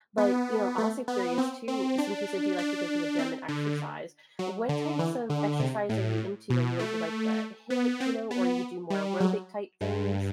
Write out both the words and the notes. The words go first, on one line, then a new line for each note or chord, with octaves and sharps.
But, you know, I'm also curious too, since you said you like to go to the gym and exercise, what types of exercise are you into? Are you into like the HIIT, you know, or you do more aerobic type things?
B3
A3
B3
C4
C4
D4
D4
C4
D3
F#3
D3
E3
D3
C3
A2
B2
A3
B3
C4
B3
G3
F#3
G2